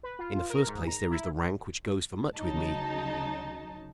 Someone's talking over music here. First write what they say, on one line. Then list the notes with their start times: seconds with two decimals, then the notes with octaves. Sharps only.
In the first place there is the rank which goes for much with me.
0.03 B4
0.19 F4
0.50 A#4
0.67 G#2
0.87 A#5
1.10 E4
2.36 D2 C#3 F#3 D#4 A5